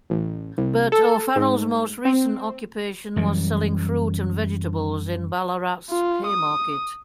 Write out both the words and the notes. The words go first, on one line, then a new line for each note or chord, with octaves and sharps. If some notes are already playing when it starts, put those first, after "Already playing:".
But O'Farrell's most recent occupation was selling fruit and vegetables in Ballarat's Haymarket.
A1
C2
A4
G#2
C4
F#2 E3 G3
F4
D#6